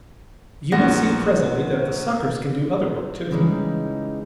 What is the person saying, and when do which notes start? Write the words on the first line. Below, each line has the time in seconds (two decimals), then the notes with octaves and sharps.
You will see presently that the suckers can do other work too.
0.72 A#1 E2 F#5 A#6
3.31 C#3 E3 G3 G#3 D#4